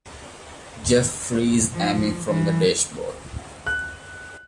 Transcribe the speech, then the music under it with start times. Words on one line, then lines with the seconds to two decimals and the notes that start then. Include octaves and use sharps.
Jeff frees Amy from the dashboard.
1.72 F3
2.26 E3
3.67 F#6